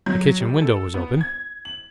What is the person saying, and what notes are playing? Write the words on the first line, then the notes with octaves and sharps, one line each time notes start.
The kitchen window was open.
F#3
G3
A4
B3
G#6
F#7